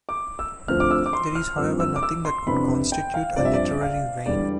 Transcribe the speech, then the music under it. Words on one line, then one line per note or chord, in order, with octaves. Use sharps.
There is however nothing that could constitute a literary vein.
D6
E6
D2 D3 F3 C4 F6
D6
E6
D6
C6
F6
G2 F3 C4 E6
E6
D6
E6
C6
F2 C3 E3 B3 D4 B5
G5
F5
G2 F3 C4 D5
E5
D5
F5
E1 E2 D3 G3 D5